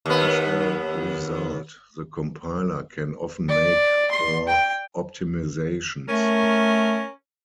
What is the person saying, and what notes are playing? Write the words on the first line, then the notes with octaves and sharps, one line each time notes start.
As a result, the compiler can often make more optimizations.
D#2 B3
D5
C6
G5
A3 C#4 A#4